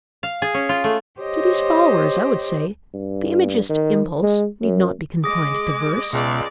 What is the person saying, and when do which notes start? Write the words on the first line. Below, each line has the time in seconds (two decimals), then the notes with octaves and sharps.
To these followers I would say: the Imagist impulse need not be confined to verse.
0.23 F5
0.42 G#4
0.54 C#4
0.69 F4
0.84 A3
1.20 G4 C5 C#5 D#5
2.94 G2
3.69 D#3
4.23 G#3
4.62 F#2
5.24 G#3 G#4 D6 D#6 A#6
6.13 C#2 B2 G#3 D5 E5